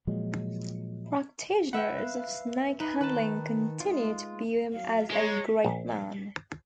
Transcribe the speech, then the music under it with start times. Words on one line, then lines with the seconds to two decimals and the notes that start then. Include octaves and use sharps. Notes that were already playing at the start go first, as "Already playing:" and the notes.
Practitioners of snake handling continue to view him as a great man.
0.07 A#2 F3 F#3 G#3
1.73 B4 E5 F#5 G5
1.98 F5 F#6
2.80 D#4 B4
3.01 D#3 B4 A5
3.80 G#3 F4
4.74 F#3 F5
5.11 G#3 C#5 A#5
5.64 A#1